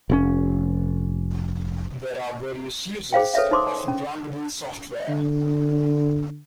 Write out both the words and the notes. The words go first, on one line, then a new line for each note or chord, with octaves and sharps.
There are various uses of brandable software.
F1 A2 C#4
G#4 C5 F5 G5
A4 B4 C#5 E5 F5
D#4 C5 C6 D6 D#6
C#4
D3